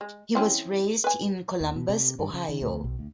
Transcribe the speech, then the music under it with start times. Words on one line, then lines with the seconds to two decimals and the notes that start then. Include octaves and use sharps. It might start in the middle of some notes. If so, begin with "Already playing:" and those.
He was raised in Columbus, Ohio.
0.01 G#3
0.35 E3 C4 C#4
1.04 B4 G#5
1.61 D#2
1.75 B2
1.89 C3
2.19 G2
2.34 C#3
2.49 D#3
2.61 D2
2.84 B1
2.99 D2